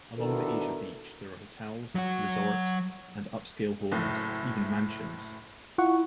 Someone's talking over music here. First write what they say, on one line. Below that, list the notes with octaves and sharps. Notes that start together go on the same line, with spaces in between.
Along the Asia Beach there are hotels, resorts, and upscale homes, even mansions.
B2 D#3 D4 E4 A4 A#4
F#3 F#4
F#1 A2
E4 F4 F#5 C#6